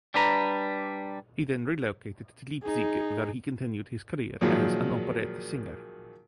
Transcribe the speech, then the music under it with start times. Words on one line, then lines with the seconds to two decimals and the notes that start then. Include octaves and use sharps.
He then relocated to Leipzig where he continued his career as an operetta singer.
0.14 G3 D4 B4 A#5
2.63 D#4 G#4
4.41 A#2 D#3 F3 F#3 G#3